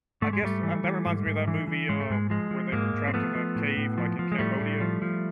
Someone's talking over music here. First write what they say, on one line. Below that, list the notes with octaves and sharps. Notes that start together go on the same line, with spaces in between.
I guess, uh, that reminds me of that movie, um, where they were trapped in that cave, like, in Cambodia
G#2 A3
G#3
G#2 G3 A3
E3
E3
G#2
G#2
E3
E3
G#2 G#3
A3
G#2 G#3
F3 G#3
F3
G#2 G#3 A#3
G#2
C4
F3 A3 B3
F3
A2
A2
F3
F3
G#3
A2 G3 A3
A2
F3
F3